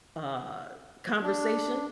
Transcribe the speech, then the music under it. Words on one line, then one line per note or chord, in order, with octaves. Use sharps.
uh, conversation,
D4